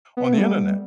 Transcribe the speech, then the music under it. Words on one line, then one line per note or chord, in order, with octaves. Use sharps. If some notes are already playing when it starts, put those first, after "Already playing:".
on the Internet."
B3
A3
G3